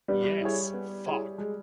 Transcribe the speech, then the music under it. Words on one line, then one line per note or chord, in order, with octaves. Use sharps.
Yes, fuck!
G3 B3
E4 G#4 C#5
B3
E4 G#4 C#5
G#3